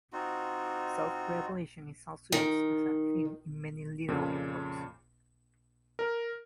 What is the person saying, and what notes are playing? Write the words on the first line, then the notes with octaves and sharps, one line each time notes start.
Self-Revelation is also used as a theme in many literary works.
C4 D#4 F4 F#4
D#3
F2 A#2 C#3
A#4